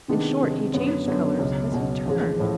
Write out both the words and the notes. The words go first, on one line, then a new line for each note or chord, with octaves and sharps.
In short he changed color as he turned.
C3 D#3 G#3 B3 D4
C3 D#3 G#3 B3 D4
F#2 D3 F#3 B3
F#2 D3 F#3 B3
C#2 B2 F#3
C#2 B2 F#3
A1 A2 F3 G#3
A2 F3